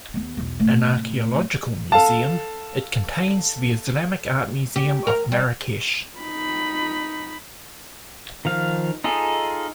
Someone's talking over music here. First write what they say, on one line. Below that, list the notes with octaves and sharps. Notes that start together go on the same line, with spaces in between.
An archaeological museum, it contains the Islamic Art Museum of Marrakech.
D#2 B3
B1 E2
A2 C3
A4 F5 A5
G4
A#4
G3
D#4 B5
D#3 F3 F5
D#4 F4 G#4 A4